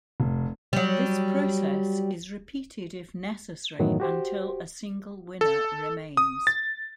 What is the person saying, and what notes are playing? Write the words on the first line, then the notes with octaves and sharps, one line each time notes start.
This process is repeated if necessary until a single winner remains.
F1
F#3 G3
F#2 A2 D#3 E3 F#3 B3
F#4 G4 C5
A4
D#6
A6